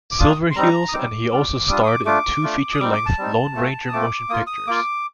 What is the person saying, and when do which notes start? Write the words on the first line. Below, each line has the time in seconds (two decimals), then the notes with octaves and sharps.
Silverheels and he also starred in two feature-length "Lone Ranger" motion pictures.
0.11 D6
0.18 A#3 D4 F4 D#6
0.51 C6
0.56 G3 C4 D#4 A#5
0.89 D#6
0.93 G3 C4 D#4 D6
1.32 G3 D4 F4
1.68 G3 D4 F4 D#6
1.83 D#6
1.87 D6
2.06 A3 D4 F4 D6
2.43 A3 D4 F4
2.72 D#6
2.80 G3 C4 D#4 D6
2.93 D6
3.06 A5
3.18 G3 C4 D#4
3.55 A3 C4 F4
3.88 D#6
3.93 A3 C4 F4 D6
4.29 A#3 F4 D#6
4.47 D#6
4.67 A#3 F4 D6